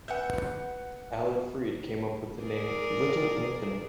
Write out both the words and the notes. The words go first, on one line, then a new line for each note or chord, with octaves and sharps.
Alan Freed came up with the name "Little Anthony".
B3 E5 F#5 G6
G#4 A#4 D5